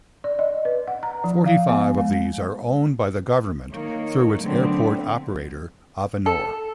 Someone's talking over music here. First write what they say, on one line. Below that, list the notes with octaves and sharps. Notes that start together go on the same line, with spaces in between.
Forty-five of these are owned by the government through its airport operator, Avinor.
D5
D#5
B4
F#5
A#5
F3
F5
B3
G#3
D#3 A#3 C#5
D3 F#3 A3 B3 C4
A4